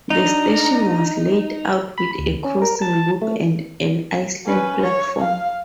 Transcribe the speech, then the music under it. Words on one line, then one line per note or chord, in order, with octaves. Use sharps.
The station was laid out with a crossing loop and an island platform.
D4 D#4 A#5
B5
D2
C#4
A#4
A5
A3
C#4 B4
C#5
F5